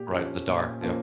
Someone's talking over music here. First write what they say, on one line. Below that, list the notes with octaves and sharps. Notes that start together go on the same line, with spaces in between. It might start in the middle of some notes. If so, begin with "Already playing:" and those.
Right, the Daughter Yup.
Already playing: A#2 G4
F3 A#3 C#4
A#2
F3 A#3 C#4